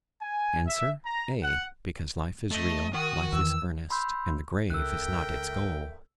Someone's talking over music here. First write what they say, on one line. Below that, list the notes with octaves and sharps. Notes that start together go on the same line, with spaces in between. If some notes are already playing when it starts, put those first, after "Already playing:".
Answer: A, because life is real, life is earnest, and the grave is not its goal.
G#5
E5
A#5
F#5
A3 D#5
D#3 F#4 D#6
E2 E6
B5 C6 E6 G6
C#2 A4 A#4 E5 G5 E6 F#6